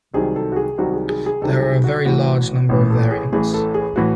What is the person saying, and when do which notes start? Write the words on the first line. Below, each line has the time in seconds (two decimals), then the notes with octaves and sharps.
There are a very large number of variants.
0.14 C2 C3 D#3 F#3 G#4
0.36 A4
0.52 F#4
0.56 G#4
0.78 C2 C3 D#3 F#3 F#4
0.93 G#4
1.09 G#4
1.26 G#4
1.41 C2 C3 D#3 F#3 A4
1.62 G#4
1.84 F#4
2.05 A1 A2 E3 F#4
2.69 A1 A2 E3
2.90 A4
3.11 G#4
3.33 A1 A2 E3 G#4
3.54 A4
3.74 G#4
3.96 A2 E3 F#4